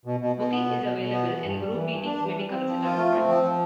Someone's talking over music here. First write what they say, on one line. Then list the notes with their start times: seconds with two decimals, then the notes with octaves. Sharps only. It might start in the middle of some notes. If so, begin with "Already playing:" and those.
Booking is available and group beatings may be considered.
0.05 B2
0.20 B2
0.36 B2
0.52 B3
0.67 B2
0.81 B2
0.98 B2
1.12 B3
1.28 E3
1.44 G2
1.59 G3
1.74 E3
1.90 G2
2.05 D4
2.20 E3
2.36 G3
2.51 C4
2.67 F3
2.83 F4
2.97 A3
3.12 C4
3.29 F3
3.43 F3